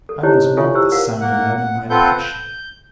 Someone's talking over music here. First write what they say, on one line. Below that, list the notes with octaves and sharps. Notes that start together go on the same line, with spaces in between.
I almost mocked the sound aloud in my passion.
A4
D#4 E4 G4 C5 C#5 D#5
C5
F4 A4 C#5 E5 G#5 C#6
E4 G4 C5 C#6 E6
A#4 F5 F#5 E6
A#3 F#5
F#5
C4 F4 A4 B4 F#5 G6
G6